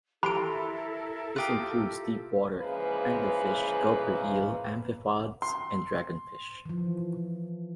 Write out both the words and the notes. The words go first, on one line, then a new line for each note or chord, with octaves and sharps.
This includes deep-water anglerfish, gulper eel, amphipods and dragonfish.
E4 G4 A4 A#4 B5 C6 D7
F4 G4 D#6 F#6
C#3 E3 F3 G#3 A#3 B4
C6
E3 F3